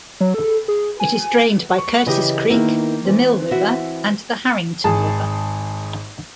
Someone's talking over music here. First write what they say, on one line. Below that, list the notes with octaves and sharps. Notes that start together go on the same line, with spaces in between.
It is drained by Curtis Creek, the Mill River and the Harrington River.
F#3
A4
G#4
G#5
C#6
C#3 E3 E4 G4 D#5
D#3 A#3 B3 E4
E3 C4
E4 F#4 E5
G#1 G#4 A5